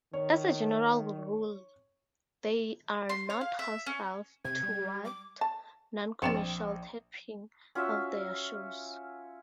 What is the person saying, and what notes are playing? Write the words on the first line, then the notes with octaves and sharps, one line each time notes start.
As a general rule, they are not hostile toward non-commercial taping of their shows.
D#3 C#5
C6
C#5
F5
E5
C#4
C3 G#6
G3
D6
A5
A#1 C4 C#5 D5 C#7 E7
C#4 F4 F#4 E5